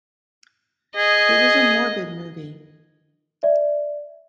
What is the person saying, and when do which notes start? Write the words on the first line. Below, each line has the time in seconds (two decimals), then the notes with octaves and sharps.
It was a morbid movie.
0.97 G#4 D#5
3.43 D5 E5